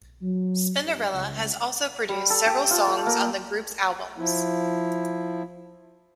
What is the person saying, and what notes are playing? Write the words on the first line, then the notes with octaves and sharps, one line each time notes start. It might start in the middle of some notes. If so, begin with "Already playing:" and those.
Spinderella has also produced several songs on the group's albums.
F#3
G2
C#2
G3
A4
G4
F4
A4
A#3
F3 E4